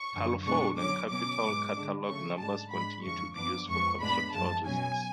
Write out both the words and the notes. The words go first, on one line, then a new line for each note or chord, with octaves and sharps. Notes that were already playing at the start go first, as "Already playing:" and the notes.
Parlophone and Capitol catalogue numbers continued to be used for contractual reasons.
Already playing: C#6
F#2 D3 F3
B2 G#3 B3 D4 C#6
D3 F#3 C#4 D6
B2 F#3 C#4 D6
G#2 G#3 B3
D3 G#3 D4
C#3 F#3 A3 C#4 C#6
G#2 G#3 D4 A5
G#2 G#3 D4 B5
F2 D3 F3 G#3 C#6
F#2 F3 B3 D4 D6
F2 F3 G#3 B3 C#6
A2 G#3 B3 D4 B5
F#2 F3 G#3 A5
B2 F#3 C#4 G#5